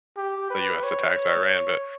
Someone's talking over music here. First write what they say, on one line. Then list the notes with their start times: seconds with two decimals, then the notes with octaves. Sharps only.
the US attacked Iran, but
0.17 G4
0.50 B4
0.84 C#5